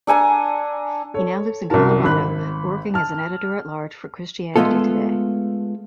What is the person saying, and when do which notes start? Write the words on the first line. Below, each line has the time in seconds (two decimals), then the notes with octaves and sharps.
He now lives in Colorado, working as an editor-at-large for "Christianity Today".
0.07 D4 A4 G#5 A#5
1.14 A4 C#5
1.70 C2 F#2 F#4 A#4 A5
2.04 G#1 B5 F#6
2.94 A5 F6
4.56 G#3 A3 B3 F4 A4